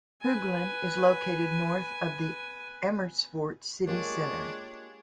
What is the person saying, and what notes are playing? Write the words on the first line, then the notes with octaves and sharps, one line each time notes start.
Hoogland is located north of the Amersfoort city centre.
B4 G#5
G#3 A#3 D4 F4 G4 C#5